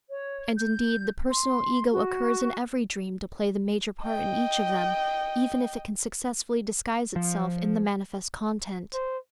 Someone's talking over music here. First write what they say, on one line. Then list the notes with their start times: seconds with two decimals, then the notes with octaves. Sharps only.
And indeed, the personal ego occurs in every dream to play the major part in each of them, even if it can successfully disguise itself in the manifest content.
0.09 C#5
0.57 G6
1.29 C6
1.91 F#4
4.04 D#5 G5
7.16 F3
8.93 C5